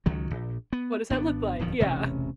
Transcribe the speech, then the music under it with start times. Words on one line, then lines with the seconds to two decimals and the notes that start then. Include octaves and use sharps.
What does that look like? Yeah.
0.06 C#2 D#3 F#3
0.31 A#1
0.73 B3
1.10 G#1 B3 D4
1.59 D1 E2 D#3 F3
1.80 E1 A1 C3 C#4